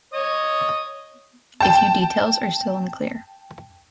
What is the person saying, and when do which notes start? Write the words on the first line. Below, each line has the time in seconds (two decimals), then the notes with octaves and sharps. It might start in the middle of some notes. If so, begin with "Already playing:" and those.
A few details are still unclear.
0.14 C#5 D#5 D#6
1.60 G5 A5